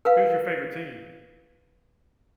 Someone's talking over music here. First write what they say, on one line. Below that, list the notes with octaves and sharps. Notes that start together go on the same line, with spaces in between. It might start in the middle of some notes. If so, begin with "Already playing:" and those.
Who's your favorite team?
A#4 B4 F5